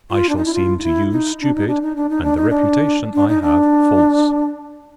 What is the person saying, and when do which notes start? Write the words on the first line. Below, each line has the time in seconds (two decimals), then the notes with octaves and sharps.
I shall seem to you stupid, and the reputation I have false.
0.11 F4
0.29 D4
0.37 D#4
0.45 E4
0.54 F4
0.79 D#4
0.83 E4
1.12 D#4
1.41 D4
1.55 D#4
1.68 D4
1.82 D#4
1.96 D4
2.09 D#4
2.23 D4
2.37 D#4
2.50 D4
3.14 D4
3.28 D#4
3.42 D4